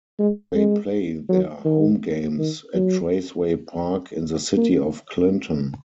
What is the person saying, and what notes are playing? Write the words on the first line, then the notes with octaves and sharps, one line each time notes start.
They play their home games at Traceway Park in the city of Clinton.
G#3
G#3
F#3
D#3
D#3
F#3
A#3